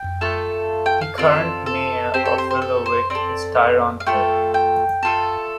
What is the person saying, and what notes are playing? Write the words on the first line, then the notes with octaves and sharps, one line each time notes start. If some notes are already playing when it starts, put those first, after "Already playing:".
The current mayor of Willowick is Tyrone Hill.
Already playing: G5
A3 F4 A4
G5
F5
C4 F4 A4 D5
A4
C4 G4 C5
A4
C5
C5
A4
C5
C4 A4 D5
F5
A3 F4 A4 G5
G5
A3 F4 A4